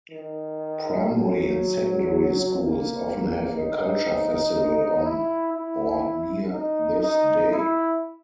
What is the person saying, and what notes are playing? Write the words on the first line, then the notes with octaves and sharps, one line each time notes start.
Primary and secondary schools often have a "culture festival" on or near this day.
D#3
F#3
A#3
D#4
E4
E4
D#4
D#4
E4